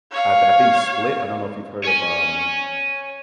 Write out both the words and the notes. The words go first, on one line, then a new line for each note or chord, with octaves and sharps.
I thi I think Split I don't know if you've heard of, um,
C#5 F5
C#5 G#5